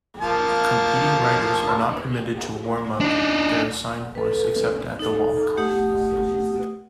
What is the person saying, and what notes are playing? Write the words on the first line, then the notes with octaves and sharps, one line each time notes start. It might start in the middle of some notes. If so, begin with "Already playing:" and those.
Competing riders are not permitted to warm-up their assigned horse except at the walk.
F3 A#3 A5
D4 D#4
A4 B4
D#4 A4
A3 G4 F#5 D#6